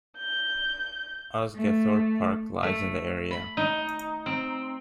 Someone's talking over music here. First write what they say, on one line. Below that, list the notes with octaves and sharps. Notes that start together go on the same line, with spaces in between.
Osgathorpe Park lies in the area.
G6
A3
A3
B5
D#4
C4